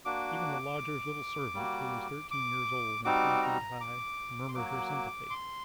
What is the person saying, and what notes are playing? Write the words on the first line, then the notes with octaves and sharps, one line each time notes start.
Even the lodger's little servant, who was thirteen years old and three feet high, murmured her sympathy.
A#3 D4 F#4 D6
G3 A#3 F#4
D6
G3 C4 D#4 F#4 D6
A#5
D6
C6
F#3 A#3 F#4 D6
C6